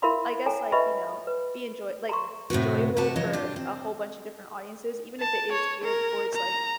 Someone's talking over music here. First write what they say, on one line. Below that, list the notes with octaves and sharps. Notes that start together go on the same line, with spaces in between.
I guess like, you know, be enjoy like, enjoyable for a whole bunch of different audiences even if it is geared towards like,
E4 A#4 E5 F5 B5 C6
A4 C#5 G5 G#5 A#5
B4 D#5 E5 B5 C#6
B4
A#5 C6 C#6
A2 C3 A3 F#4
C3 F#4 A#4 B4 F#5 A5
C#3 F3 F#3 C#5 D#5
D4 F4 G4
C4
A5
C#5
A#4
A#5